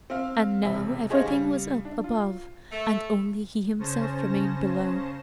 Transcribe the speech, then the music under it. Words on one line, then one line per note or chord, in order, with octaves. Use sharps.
And now everything was up above and only he himself remained below.
C4 F5
E1 C3 E5
G4 G#4 C5 C#5 D#5 F5
C#3 G3
D4
F4
A3
C#3 C#4 C5 A5 A#6 E7